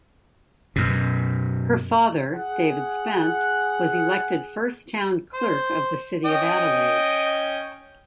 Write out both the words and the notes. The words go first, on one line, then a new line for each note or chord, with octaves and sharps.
Her father, David Spence, was elected first Town Clerk of the City of Adelaide.
F#2 B2
G#4 F#5
C5
C#4 D#5 G5